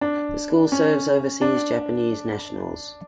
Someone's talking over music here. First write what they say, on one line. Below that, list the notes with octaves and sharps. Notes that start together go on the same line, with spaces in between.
The school serves overseas Japanese nationals.
D4
C#4
D4